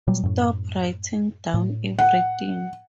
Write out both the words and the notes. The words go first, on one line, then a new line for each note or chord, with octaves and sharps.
Stop writing down everything!
A#2 F#3 G3
F#2 A2
A2
F#5